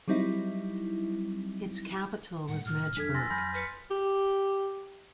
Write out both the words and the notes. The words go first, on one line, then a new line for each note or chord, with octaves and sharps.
Its capital was Magdeburg.
F#3 G3 C4 D#4 E4
A2 G3 F#5
A2 C3 F3 F6
F2 D#3 F#3 D4 A4 G#6 B6
G#5 C6 E6 A6 A#6
F2 F#3 G#5 B5 G6 A#6
B4 F6 B6 C#7
G4